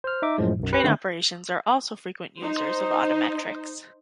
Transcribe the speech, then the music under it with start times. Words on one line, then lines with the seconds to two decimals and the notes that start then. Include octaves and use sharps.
Train operations are also frequent users of odometrics.
0.04 C5 F6
0.22 D#4 E5 D6
0.38 F#2 A2 F3 G#3
0.59 B1 F#2
0.72 G4 B4 C#7
0.84 D3 D#3 A3 B3 C4
2.41 D#4 C5